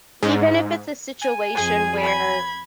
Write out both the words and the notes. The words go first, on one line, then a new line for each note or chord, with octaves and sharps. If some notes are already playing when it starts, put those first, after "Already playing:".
even if it's a situation where,
G#2
G#5
F2 G#4 G#6
B5 G#6